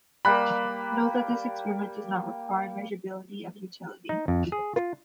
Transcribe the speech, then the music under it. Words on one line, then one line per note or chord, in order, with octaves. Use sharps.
Note that this experiment does not require measurability of utility.
G3 A#3 B5 F#6
D#4
F2
G#4
F4